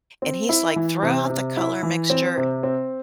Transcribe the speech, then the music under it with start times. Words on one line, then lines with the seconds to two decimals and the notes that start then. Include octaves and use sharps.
And he's like, "Throw out the color mixture"
0.22 C4
0.49 E4
0.76 E3
1.03 C3
1.30 C3
1.57 E4
1.83 E3
2.10 C4
2.37 C3
2.63 C4